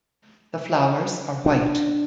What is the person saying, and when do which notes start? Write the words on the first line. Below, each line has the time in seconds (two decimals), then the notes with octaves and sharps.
The flowers are white.
1.46 D4